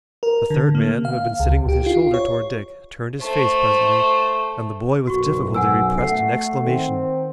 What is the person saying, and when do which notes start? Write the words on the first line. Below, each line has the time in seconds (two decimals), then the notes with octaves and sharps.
The third man, who had been sitting with his shoulder toward Dick, turned his face presently, and the boy with difficulty repressed an exclamation.
0.23 A#4
0.50 D3
0.75 A#3
1.05 F5
1.40 C#2
1.69 G4
1.86 F4
2.14 C#5
3.22 A3 C5
5.07 B1 F#2 F#4 C#6
5.54 F#5 G#5 E6
5.98 A3 F#5 C7
6.64 D#3 C4